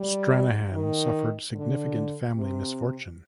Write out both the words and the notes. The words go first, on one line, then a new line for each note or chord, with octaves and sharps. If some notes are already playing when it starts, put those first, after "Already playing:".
Stranahan suffered significant family misfortune.
Already playing: G3
D#3
D3
C3